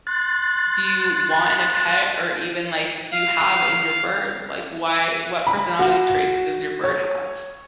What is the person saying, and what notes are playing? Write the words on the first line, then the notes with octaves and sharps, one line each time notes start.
do you want in a pet, or even, like, do you have in your bird? Like why what personality traits does your bird have?
C6 F#6 A6
F5
B5
F#4
C#5